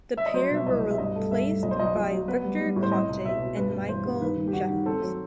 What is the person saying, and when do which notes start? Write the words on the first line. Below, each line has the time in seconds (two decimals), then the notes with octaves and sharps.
The pair were replaced by Victor Conte and Michael Jeffries.
0.17 E5
0.26 D#5
0.34 F#3 C5
0.51 B2 E5
0.67 C2 D#5
0.83 B2
0.91 E5
0.98 G2 D#5
1.16 A3
1.31 G2 E5
1.47 A3
1.63 B1 D#5
1.71 C5
1.80 B1 D#5
1.96 B1
2.12 F#3
2.28 B3 B4
2.43 G3
2.60 G3
2.76 A2
2.83 C5
2.92 C4 D#5
3.08 C2
3.25 B2 E5
3.41 B2
3.57 G2 B4
3.73 G2
3.89 E3 C5
4.05 G2
4.21 D#3 B4
4.37 D#3
4.48 G4
4.53 D#3 F#4
4.70 D#3
4.86 C4 A4
5.02 F#3